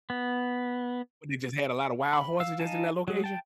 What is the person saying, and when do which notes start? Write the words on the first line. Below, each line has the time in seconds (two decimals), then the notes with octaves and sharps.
What they just had a lot of wild horses, just in that location?
0.10 B3
2.13 B5
2.40 F5 E6
2.60 D#4 F5 G#5 A5
3.08 F#3 G#4
3.24 G5 A5